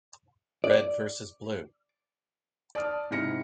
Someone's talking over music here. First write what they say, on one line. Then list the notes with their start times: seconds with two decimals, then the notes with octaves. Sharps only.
Red versus Blue.
0.64 D5
2.75 D5 A5 D#6 F6
3.10 G#2 C3 E4 F6 A#6 C#7